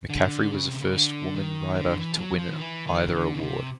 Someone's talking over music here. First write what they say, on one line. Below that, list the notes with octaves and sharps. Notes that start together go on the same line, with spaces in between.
McCaffrey was the first woman writer to win either award.
D3
C#3
C3
C#3
D3
D#3
D3
E3
F3
F#3
F3
D#3
E3
D#3
C#3
D3
C#3
C3